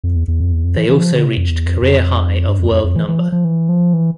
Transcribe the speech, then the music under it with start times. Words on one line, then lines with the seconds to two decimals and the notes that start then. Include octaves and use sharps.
They also reached career high of World no.
0.04 F2
0.16 E2
0.28 E2
0.40 F2
0.52 E2
0.64 F2
0.77 E3
0.89 E3
1.01 F3
1.13 D3
1.26 C3
1.37 F2
1.49 E2
1.66 F2
1.82 F2
2.47 G2
2.59 F2
2.71 F2
2.84 F2
2.96 E3
3.08 E3
3.20 F3
3.32 F3
3.45 E3
3.69 F3
3.93 E3